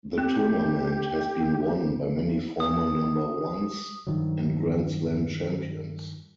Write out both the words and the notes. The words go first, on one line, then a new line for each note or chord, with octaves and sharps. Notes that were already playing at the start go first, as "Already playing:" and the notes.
The tournament has been won by many former number ones and Grand Slam champions.
C4 G4 G5
D#6
G2 D#3 F3 F#3